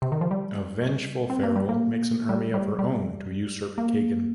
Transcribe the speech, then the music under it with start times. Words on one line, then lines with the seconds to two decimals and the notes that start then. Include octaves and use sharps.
A vengeful Ferrill makes an army of her own to usurp Kagan.
0.02 C3
0.12 D#3
0.21 F3
0.31 G3
1.30 C4
1.43 A#3
1.56 G3
1.69 A#3
2.29 G3
2.54 G3
2.79 G3
3.78 A#3